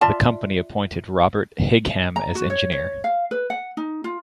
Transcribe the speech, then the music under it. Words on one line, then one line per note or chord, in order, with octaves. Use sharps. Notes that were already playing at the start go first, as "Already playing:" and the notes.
The company appointed Robert Higham as engineer.
F4 D5 E5 A5
A#5
F#4
C#5
C#5
F5
B4
F#5
D#4
F4